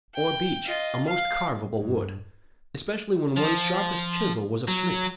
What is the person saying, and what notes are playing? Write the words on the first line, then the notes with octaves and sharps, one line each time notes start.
Or beech--a most carvable wood. Especially when one's sharpest chisel was a flint.
G5
F4 D#5
F5
G2
F3
F#3